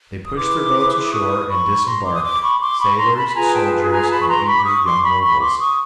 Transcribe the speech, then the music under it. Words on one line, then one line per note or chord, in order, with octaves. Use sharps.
They pushed their boats ashore and disembarked,--sailors, soldiers, and eager young nobles.
D#6
E4 G#4 B4 C6 D6
C#6 D#6
B5 C#6
A#5 C6
C6 D6
D#6
C6 D6
B5 C#6
C6 D6
B5 C#6
A#5 C6
A5 B5
B5
F4 G#4 B4 G#5 A#5
G5 A5
G#5 A#5
A5 B5
C#6
A#5 C6
B5 C#6
D6
C#6 D#6
C6 D6
B5 C#6
B5 C#6
C6 D6
C#6 D#6